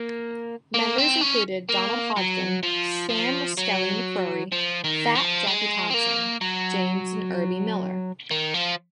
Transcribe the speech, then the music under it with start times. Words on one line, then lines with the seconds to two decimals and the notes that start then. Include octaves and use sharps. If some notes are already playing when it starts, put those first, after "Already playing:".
Members included Donald Hodgen, Sam "Skelly" McCrory, "Fat" Jackie Thompson, James and Herbie Millar.
Already playing: A#3
0.74 A#3
0.98 C4
1.21 C#4
1.69 A#3
2.16 F#3
2.63 F3
3.10 F3
3.58 F#3
4.52 F3
4.84 D#3
5.15 F3
5.47 G#3
5.90 C4
5.94 A#3
6.41 F#3
8.31 D#3
8.54 F3